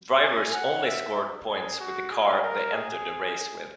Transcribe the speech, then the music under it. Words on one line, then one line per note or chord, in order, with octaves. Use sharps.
Drivers only scored points with the car they entered the race with.
G#5
F#5
E5
G#4
F#4
G#4
A#4
G#4